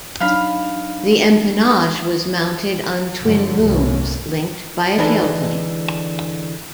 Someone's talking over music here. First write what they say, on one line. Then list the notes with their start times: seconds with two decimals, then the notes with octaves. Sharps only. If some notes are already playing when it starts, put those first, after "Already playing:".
The empennage was mounted on twin booms linked by a tailplane.
0.21 F#3 D4 D#4 F5 B5
3.20 G2 D3 F3 F#3
3.60 G1 C2 C3 A3 A#3 C#4
4.98 D3 E3 G#3 D4 D#4